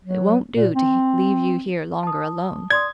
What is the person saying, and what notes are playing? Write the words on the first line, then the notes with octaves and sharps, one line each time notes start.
It won't do to leave you here longer alone.
F#3
A#2
C4
A5 D#6
D5 C6 D#6 G#6